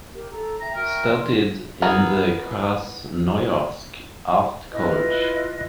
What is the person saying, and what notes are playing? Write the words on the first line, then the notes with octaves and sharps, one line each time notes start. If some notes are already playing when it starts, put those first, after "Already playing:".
Studied in the Krasnoyarsk art college.
G4 A#4
A4 A#5 E6
E5 G5 A#5
F#4 A#4 E5 G5
C6
B3 E4 G#4 A#4 A#5
E4 F4 B4 D#5